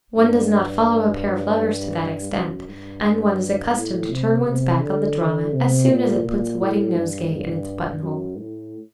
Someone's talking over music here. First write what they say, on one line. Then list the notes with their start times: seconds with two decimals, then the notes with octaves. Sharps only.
One does not follow a pair of lovers to that extent, and one is accustomed to turn one's back on the drama as soon as it puts a wedding nosegay in its buttonhole.
0.17 G2
2.32 F#2
2.68 G2
3.75 A2
4.10 C3
4.46 C3
4.81 D3
5.17 D3
5.53 C3
5.88 A#2
6.24 A#2
6.60 A2
6.95 G2
7.31 G2
8.02 F#2
8.38 A2